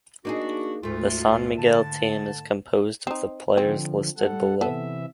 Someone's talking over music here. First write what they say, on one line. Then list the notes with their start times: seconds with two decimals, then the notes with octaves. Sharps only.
The San Miguel team is composed of the players listed below.
0.25 A#3 D4 D#4 F#4 G#4
0.83 D2 G#2 A3 F4
1.58 D3 A5
3.07 C4 D#4
3.57 D3 F3 C4
4.17 G3 A4 F#5
4.61 C3 E3 B3 A4 E5